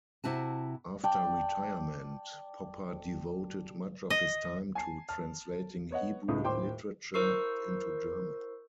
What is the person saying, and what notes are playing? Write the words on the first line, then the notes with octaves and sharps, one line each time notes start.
After retirement Popper devoted much of his time to translating Hebrew literature into German.
C3 E4 F#4 A5
D5 G5 A5
D#5
G#5 A5 C7
A5 F6
B3 C#5 D#5 F#5
C#2 A2 C#3 G#3 D#6
D#1 A2 C5 G5 C6 D6
E4 A#4 C5 C#6 E6 C7